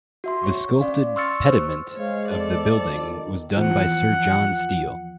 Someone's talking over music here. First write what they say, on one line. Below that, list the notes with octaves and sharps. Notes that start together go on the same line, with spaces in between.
The sculpted pediment of the building was done by Sir John Steell.
F#4 E5 C6
C#5 C#6
C#4 D5 F5
C6 C#6 E6 F6 A6 C#7
C5 C#6 E6 F6
G#3 C5 C#5 F5
A4 D5
F2 F3
D#3
E2 F3 F#5